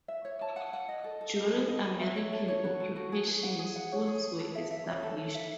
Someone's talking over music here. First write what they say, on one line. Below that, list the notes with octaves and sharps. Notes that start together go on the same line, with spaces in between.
During American occupation schools were established.
E5
C#5
A5
F#5
F#5
D#5
A4
A4
D#5
A4
D#5
F#4
E5
C#5
A4
C#5
F#4
A4
F#4
G#4
G#4
F#5
G#4
F#5
C#5
G#4
G#4
A4
E5
E5
C#5
A4
A4
E5